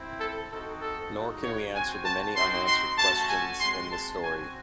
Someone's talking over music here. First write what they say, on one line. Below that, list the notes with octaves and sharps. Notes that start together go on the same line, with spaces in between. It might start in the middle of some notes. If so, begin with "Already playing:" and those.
Nor can we answer the many unanswered questions in the story.
Already playing: C4 E4
A4
C4 D#4 F#4 A4
A4
G#3 D#4 F#4
C#5
C4 F#4 G#5
A5
C4 D#4 F#4 C6
C6
A3 C#4 F#4 A5
G#5
G#3 C4 F#4 C6
A5
C4 F#4 G#5